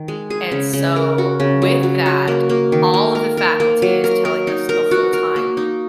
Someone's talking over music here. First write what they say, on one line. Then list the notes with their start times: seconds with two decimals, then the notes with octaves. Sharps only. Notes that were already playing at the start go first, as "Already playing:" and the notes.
and so, with that, all of the faculty is telling us the whole time,
Already playing: D#3
0.08 G#3
0.30 G#4
0.52 C#3
0.73 C#3
0.96 A#4
1.18 F#4
1.40 C#3
1.62 F#3
1.83 F#3
2.06 F#4
2.28 A#3
2.49 A#3
2.72 D#3
2.94 A#3
3.15 A#4
3.37 A#4
3.60 A#3
3.82 F#3
4.04 A#4
4.25 A#4
4.47 D#4
4.69 A#4
4.91 F#4
5.13 A#4
5.36 A#3
5.57 D#4